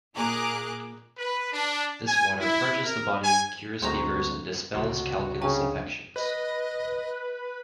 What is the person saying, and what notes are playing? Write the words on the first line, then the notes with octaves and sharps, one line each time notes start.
This water purges the body, cures fevers and dispels calculous affections.
A#2 G#4 A#4 D6 F#6
B4
D4
G#5
E4
A#4
G#5
D2 G#3 C4 F#4 A#5
C#2 C3 F#4
C#3 D4 G5 C#6
B4 D#5